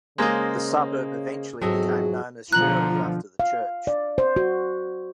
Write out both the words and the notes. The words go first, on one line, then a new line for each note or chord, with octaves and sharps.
The suburb eventually became known as Shirley after the church.
C#3 G#3 A#3 C5 D#5
E2 G#2 F3 F#3 C4 G#4 A4 D#5
B2 D3 F3 A#5 F#6 F#7
F5
D5
C5
F#4